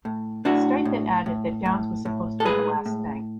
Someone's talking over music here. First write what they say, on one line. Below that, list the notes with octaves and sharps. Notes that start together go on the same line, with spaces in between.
Stipe then added that Downs was supposed to be the last thanked.
A2
A2 D4 F#4
A2
A2
A2
A2
A4
G#3 G#4 B4
A2